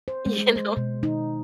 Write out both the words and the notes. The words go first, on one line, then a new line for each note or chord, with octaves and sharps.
you know.
C5
G#3
C5
B2
D#4